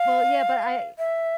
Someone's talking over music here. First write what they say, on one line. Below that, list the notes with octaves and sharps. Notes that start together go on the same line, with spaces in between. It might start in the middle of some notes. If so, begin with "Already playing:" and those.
Well, yeah, but I
Already playing: F5
E5